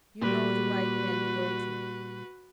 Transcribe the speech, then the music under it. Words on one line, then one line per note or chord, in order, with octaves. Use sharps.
You know the right men to go to.
A#2 G3 F#4 B4